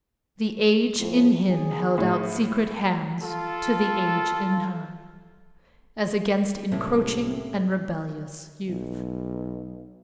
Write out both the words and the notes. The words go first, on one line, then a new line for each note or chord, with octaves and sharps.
The age in him held out secret hands to the age in her--as against encroaching and rebellious youth.
F2 A2
D#3 G#4
A2
F4 A4
C2 A2 A#3 C4 C#4
B1